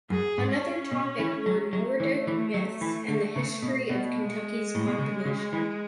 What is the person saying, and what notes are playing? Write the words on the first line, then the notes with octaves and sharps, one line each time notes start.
Another topic were Nordic myths and the history of Kentucky’s population.
F#2 G#4
G#2
C#4
B2
E3
F#3
F#3 A3
E3
E3
F#3
E3
D3
C#3
B2
B2
G#3
A2
B2
C#3
C#3
E3